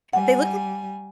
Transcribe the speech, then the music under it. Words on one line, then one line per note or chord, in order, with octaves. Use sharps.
They look like
G3 F#5 G#5